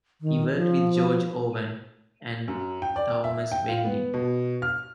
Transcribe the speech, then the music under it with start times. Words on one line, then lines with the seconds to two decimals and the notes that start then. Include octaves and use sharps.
He worked with George Owen and Thomas Wendy.
0.21 D#3
0.54 F3
2.48 F#2
2.82 G5
2.96 D5
3.24 E5
3.52 G5
3.68 F4
3.85 B3
4.14 B2
4.62 F6